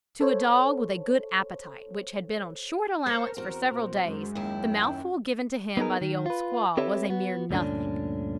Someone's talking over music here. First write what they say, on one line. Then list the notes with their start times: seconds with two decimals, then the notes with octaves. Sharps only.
To a dog with a good appetite which had been on short allowance for several days, the mouthful given to him by the old squaw was a mere nothing.
0.21 A4 C5 C#5
3.06 A4 A#4 C5 C#5
3.37 E2 C4 F#4
3.71 A#2 C5
4.05 F#2 G#3
4.35 D#2 E4 G5
4.86 C#4
5.77 B3 D#4 G#4 A#4
6.01 D#3
6.26 F4 B4
6.77 C4 G4 A4 B4 C#5 E5
7.09 B3 F#4
7.51 D2 G2 A#2 D3 C#4 D4